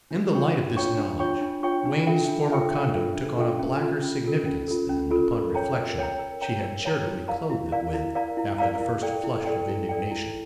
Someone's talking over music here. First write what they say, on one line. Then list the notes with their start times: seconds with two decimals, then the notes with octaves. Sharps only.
In the light of this knowledge, Wain's former conduct took on a blacker significance than, upon reflection, she had charitably clothed it with after the first flush of indignation.
0.11 D4
0.33 F4 C#5 G5 C#6
0.55 D4
0.77 F4 C#5 G5 C#6
0.98 D4
1.19 F4 C#5 G5 C#6
1.41 D4
1.63 F4 C#5 G5 C#6
1.85 D4
2.07 F4 A4 E5 G5
2.28 D4
2.50 F4 A4 E5 G5
2.72 D4
2.94 F4 A4 E5 G5
3.16 D4
3.37 F4 A4 E5 G5
3.59 C#4
3.80 F4 A4
4.02 C#4
4.24 F4 A4
4.46 C#4
4.68 F4 A4
4.89 C#4
5.11 F4 A4
5.33 A#4
5.55 C#5 G5 A#5
5.76 A#4
5.98 C#5 G5 A#5
6.19 A#4
6.41 C#5 G5 A#5
6.63 A#4
6.85 C#5 G5 A#5
7.06 E4
7.28 A#4 D5 F5 A#5
7.50 E4
7.72 A#4 D5 F5 A#5
7.93 E4
8.15 A#4 D5 F5 A#5
8.37 E4
8.58 A#4 D5 F5 A#5
8.80 E4
9.02 A4 D5 G5
9.24 E4
9.45 A4 D5 G5
9.67 E4
9.89 A4 D5 G5
10.11 E4